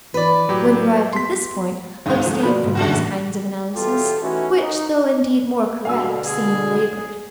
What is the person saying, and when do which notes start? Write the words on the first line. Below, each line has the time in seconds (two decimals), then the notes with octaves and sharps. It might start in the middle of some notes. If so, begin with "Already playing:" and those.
When arrived at this point, abstain from these kinds of analysis, which though indeed more correct, seem labored.
0.14 E3 B4 D5
0.49 A2 F#3 G4
1.13 B3 C6 B6
2.06 G#1 C#2 G2 D#4
2.26 F3 A3
2.44 B2 F4 D5 B5
2.61 D2 G#2
2.75 F#1 C#3 G#3 F#4
2.91 A2 E3 A3
3.74 E2 B2 F4 G4 A4
4.20 E3 A3 C#4 D#4 E4 F#4
4.60 D#4
5.85 B2 D3 G3 F5 G#5 E6
6.25 G#4